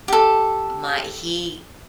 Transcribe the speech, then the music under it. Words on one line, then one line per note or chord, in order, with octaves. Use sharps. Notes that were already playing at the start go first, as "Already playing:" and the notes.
My he
G4 A4